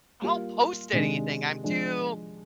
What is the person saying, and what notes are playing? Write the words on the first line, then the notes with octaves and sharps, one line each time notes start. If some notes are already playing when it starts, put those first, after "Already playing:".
I don't post anything, I'm too
G3 A#3 F4
C3 D#3 G#3 D4
F3 G#3 D4